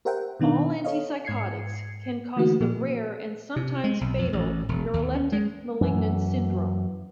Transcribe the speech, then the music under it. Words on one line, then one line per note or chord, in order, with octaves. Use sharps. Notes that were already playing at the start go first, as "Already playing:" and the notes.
All antipsychotics can cause the rare and sometimes fatal neuroleptic malignant syndrome.
G4 A#4 C5 E5 F#5 G5
B2 D#3 B3 D4 D#4
A4 C#5 D#5 F5
G#2 G#6 C7 C#7
D3 E3 A3 A#3 D#4 F#4
A#2 F3 A#3
C3
G#3
B1
F2
A1
E1
D#2
C#4
G#3
F#2 E3